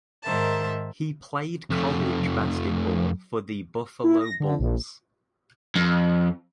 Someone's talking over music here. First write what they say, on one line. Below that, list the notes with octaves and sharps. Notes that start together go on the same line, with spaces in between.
He played college basketball for the Buffalo Bulls.
G#2 D#3 A#4 C5 E5 A5
F2 A3
E4
A#6
D3
A#1
F2